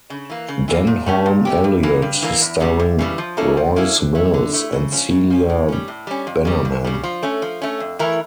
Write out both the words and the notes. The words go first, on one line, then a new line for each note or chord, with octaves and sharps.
Denholm Elliott, starring Royce Mills and Celia Bannerman.
C#3
E3 A#3
C#3
E3 A#3
A#2
A3 C#4 G4
A#2
A3 C#4 G4
G2
E3 A#3
G2
E3 A#3
E2
C#3 E3 G3
E2
C#3 E3 G3
F3
A#3 C#4 E4 A4
F3
A#3 C#4 E4 A4
D3
A3 E4
D3
A3 E4
C#3
F3 C#4
C#3
F3 C#4
A2
G3 C#4
A2
G3 C#4
F2
C#3 G3
F2
C#3 G3
F3
A3 C#4
F3
A3 C#4
F2
E3 A3 E4 A#4